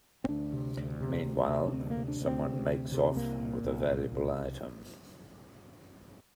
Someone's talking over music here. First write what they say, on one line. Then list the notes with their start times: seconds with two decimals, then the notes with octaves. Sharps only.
Meanwhile, someone makes off with a valuable item.
0.24 C4
0.29 D2 D4
0.53 C3
0.77 D2
1.01 C3
1.25 D2
1.49 C3
1.68 D4
1.72 D2 C4
1.86 A3
1.90 A#3
1.97 C3
2.08 D4
2.21 D2
2.27 C4
2.45 C3
2.68 D2
2.92 C3
3.12 C4
3.15 C2 A#3
3.40 A#2
3.64 C2
3.88 A#2
4.12 C2